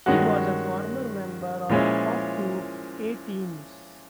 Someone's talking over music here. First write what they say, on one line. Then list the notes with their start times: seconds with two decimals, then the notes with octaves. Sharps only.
He was a former member of the pop group A-Teens.
0.06 G2 D#3 G#3 C#4 F#4
1.69 A#2 F3 G#3 C#4 E4